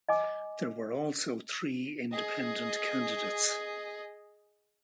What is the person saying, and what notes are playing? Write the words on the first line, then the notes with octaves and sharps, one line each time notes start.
There were also three independent candidates.
D#5 G#5 D6
G#4 D#5